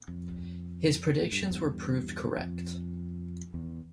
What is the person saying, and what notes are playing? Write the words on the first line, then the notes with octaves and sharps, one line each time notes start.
His predictions were proved correct.
F2
A2
G2
F2
E2 G2
F2
E2